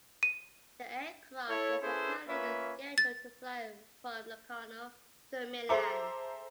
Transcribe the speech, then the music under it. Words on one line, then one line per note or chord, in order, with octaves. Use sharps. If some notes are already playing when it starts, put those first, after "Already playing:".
The aircraft was apparently scheduled to fly from Locarno to Milan.
D#7
E4 A4 C#5
C#4 E4 G#4 A4 B4 C5
A#3 C#4 F4 B4 C#5 E5
A6
G#4 A4 C5 E5 A#5 D6